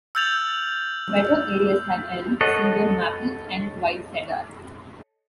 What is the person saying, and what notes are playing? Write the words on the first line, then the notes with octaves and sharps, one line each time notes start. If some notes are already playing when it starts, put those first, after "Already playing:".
Wetter areas have elm, silver maple and white cedar.
E6 F6 G6 A6 F7 F#7
A4 C#5 D#5 F#5